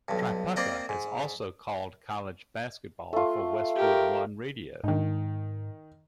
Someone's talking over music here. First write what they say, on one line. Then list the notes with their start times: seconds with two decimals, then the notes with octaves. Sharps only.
Tripucka has also called college basketball for Westwood One radio.
0.08 B1 G2
0.56 A#3 C4 G4 D5 D#5 A#5
0.89 G#2
3.13 A3 F4
3.75 G4 A#4
4.84 G#2 D#3 D#4